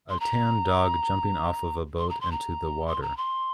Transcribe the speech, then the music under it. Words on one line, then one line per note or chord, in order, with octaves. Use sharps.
A tan dog jumping off of a boat into the water.
C6
A#5
C6
A#5
C6
A#5
C6
A#5
C6